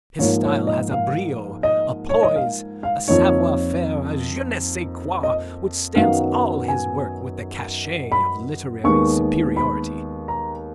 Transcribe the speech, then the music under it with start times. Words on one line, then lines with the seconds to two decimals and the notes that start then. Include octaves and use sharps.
His style has a brio, a poise, a savoir faire, a je ne sais quoi, which stamps all his work with the cachet of literary superiority.
0.19 G#2 F3 A#3 C#5
0.44 C#5
0.67 D#5
0.91 F5
1.63 D#5
2.09 C#5
2.23 D#5
2.36 F5
2.83 F5
3.08 F2 F3 A#3 D#4 C#5
5.23 D#5
5.95 F#2 D#3 F#3 B3 D#4 F5
6.68 G#5
8.12 B5
8.84 D#2 D#3 G#3 B3 C#6
9.56 B5
10.28 A#5